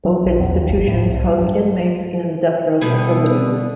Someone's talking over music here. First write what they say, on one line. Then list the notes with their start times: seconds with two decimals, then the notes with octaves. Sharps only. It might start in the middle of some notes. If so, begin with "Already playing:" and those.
Both institutions house inmates in Death Row facilities.
0.05 F#3
0.25 A#1
0.40 E2
0.54 D#2
0.69 G1
0.87 A2
1.08 C2
1.24 F#3
1.37 G2
2.81 B2 D3 G3